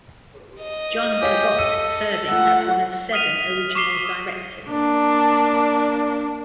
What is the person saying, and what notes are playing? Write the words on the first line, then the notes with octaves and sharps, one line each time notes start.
John Cabot serving as one of seven original directors.
D#5
G4 G#4 C#5 F5
A4 D#7
A3 F4 F#5
D#6 F6 B6 D#7 F7
C#6 D6 C7 G7
A#3 D4